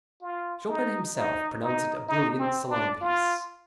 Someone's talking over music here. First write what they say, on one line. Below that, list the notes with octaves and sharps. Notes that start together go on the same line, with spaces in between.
Chopin himself pronounced it a brilliant salon piece.
F4
D#4
D#4
D#4
D#4
C4
D4
F4